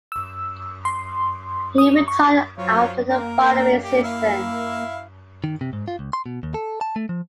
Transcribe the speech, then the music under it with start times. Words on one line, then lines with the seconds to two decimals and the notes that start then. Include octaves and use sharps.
He retired after the following season.
0.12 E6
0.85 C6
1.78 D#6
2.08 C#6
2.58 F#3 F4 C5 C#5
3.10 A#3 A#4
3.84 G4
4.03 E4 E5 F5
5.44 D#3
5.61 C3
5.73 G#2
5.88 F4
5.99 C#2
6.13 C6
6.26 B2
6.43 D#2
6.54 A4
6.81 A5
6.96 A3
7.09 F3